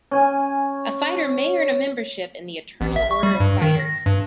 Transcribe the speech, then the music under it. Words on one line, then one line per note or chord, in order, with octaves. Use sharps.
A fighter may earn a membership in the Eternal Order of Fighters.
C#4 G#5
A1
E5
C#6
G3
G2
D#3
A#6
G2